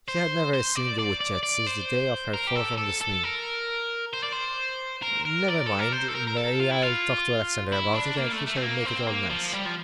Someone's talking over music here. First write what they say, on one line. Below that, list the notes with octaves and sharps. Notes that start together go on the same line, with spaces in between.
She had never seen the wood-shed since the day of her fall from the swing. "Never mind, Mary, I'll talk to Alexander about it, and he shall make it all nice."
C5
C5
D5
D5
D5
D5
C5
A#4
G4
A4
A4
A4
A#4
C5
D5
C5
A#4
A#4
D5
A4
A#4
C5
A4
A#4
A#4
A4
F4
E4
F4
E4
D4
A#3
A3
A3
C4
A#3
C4
A#3
F3
G3
F3